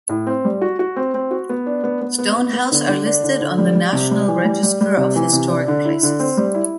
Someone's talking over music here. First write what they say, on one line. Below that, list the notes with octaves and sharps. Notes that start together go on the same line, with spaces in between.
Stone House are listed on the National Register of Historic Places.
A2
C4
G3
F#4
F#4
C4
C4
F#4
B3
D4
B3
B3
B3
B3
B3
D3
D3
D4
D3
D3
G3
G3
C3
G3
E3
G3
G3
G3
C3
E3
C3
D4
D3
E4
D3
C4
G3
E4